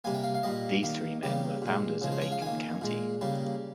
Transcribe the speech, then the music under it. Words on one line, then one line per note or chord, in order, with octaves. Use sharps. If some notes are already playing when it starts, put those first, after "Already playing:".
These three men were founders of Aiken County.
C3 G3 A#3 G#5
G5
F5
F5
A#2 G3 A#3 D#5
D#3 A#3
C#3 G3 A#3 G4
A#2 G#3
C#3 F3 G#3
C5
C#5
F5
D#3 A#3 G#5
A#2 G#3
C#3 G3 A#3